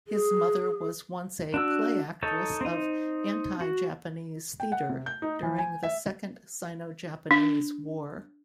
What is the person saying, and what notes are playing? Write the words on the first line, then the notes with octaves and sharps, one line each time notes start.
His mother was once a playactress of Anti-Japanese Theatre during the Second Sino-Japanese War.
G#4
D4 F#4 E6
D#4 A4 C#5 A5
C4 D#4
F#4
G5
F#5
C3
G6
D#4
E3
G#5
E5
D4